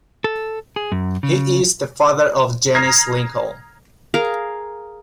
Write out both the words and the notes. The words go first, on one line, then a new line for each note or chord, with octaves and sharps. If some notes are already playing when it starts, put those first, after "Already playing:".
He is the father of Janice Lincoln.
A4
G#4
F#2
C#3
A#5 D#6 F6 G#6 A#6 C7
G#4 A#4 F5